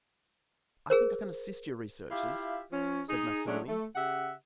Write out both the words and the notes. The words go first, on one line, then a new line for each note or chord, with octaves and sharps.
"I think I can assist your researches," said Maximilian.
G#4 A#4 C5
E4 F4 G4 E5 F5
F3 C#4
D#4 G#4
F#3 G#3 A3 C#4 D4
A3
C#3 G4 E5 F#5